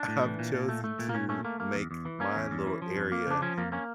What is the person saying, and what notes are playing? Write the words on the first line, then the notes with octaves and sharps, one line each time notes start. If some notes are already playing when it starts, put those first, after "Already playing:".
I've chosen to make my little area
Already playing: D4
A2
E3
A#2
A#2
A3
A3
A#2
A#3
A#2 C#4
A3 C#4
A3 A#3
A#3
E2
E2
E3
A#3 C#4
E2
E2
E3
F3
F2
A#3
C#3 D4
F3 C#4
F2 A#3
A#3 C#4